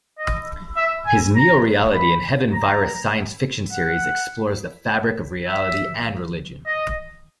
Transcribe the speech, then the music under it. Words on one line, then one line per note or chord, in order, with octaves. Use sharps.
His Neoreality and Heaven Virus science-fiction series explores the fabric of reality and religion.
D#5
E5
G#5
A#5
B5
A#5
F#5
E5
D#5